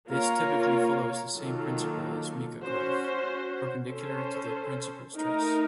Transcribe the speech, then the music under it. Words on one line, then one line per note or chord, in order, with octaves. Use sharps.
This typically follows the same principle as mica growth, perpendicular to the principal stress.
A#3 F4 A#4 C#5
D#3 F#3 A#3 F4 A4
C#4 F#4 C5
C#4 A4 C5
A3 D#4 A#4